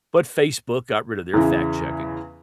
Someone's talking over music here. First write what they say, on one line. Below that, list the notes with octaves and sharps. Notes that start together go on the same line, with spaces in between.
but Facebook got rid of their fact-checking,
E2 C#3 E3